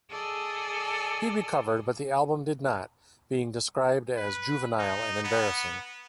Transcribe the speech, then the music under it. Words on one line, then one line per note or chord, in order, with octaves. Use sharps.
He recovered but the album did not; being described as 'juvenile and embarrassing'.
G#4 A4 D5 D#5 G#5
B4
D#4
B3